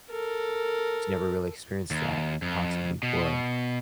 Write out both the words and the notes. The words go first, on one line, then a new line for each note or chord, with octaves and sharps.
has never really experienced that possibly would,
A4 A#4
D#2
F2
B2